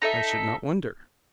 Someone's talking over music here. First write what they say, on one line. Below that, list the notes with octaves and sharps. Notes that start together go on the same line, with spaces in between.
I should not wonder.
D#4 A4 E5